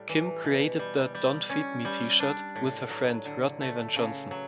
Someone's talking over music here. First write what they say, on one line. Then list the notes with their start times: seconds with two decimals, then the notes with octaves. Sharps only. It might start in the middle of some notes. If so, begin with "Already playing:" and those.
Kym created the "Don't Feed Me" T-shirt with her friend, Rodney Van Johnson.
Already playing: A2 G3
0.09 E3
0.44 B2
0.79 G3
1.15 G3
1.49 C#4
1.85 G3
2.20 D4
2.55 A2
2.90 F#3
3.25 D3
3.61 A3
3.96 C#3
4.31 F#3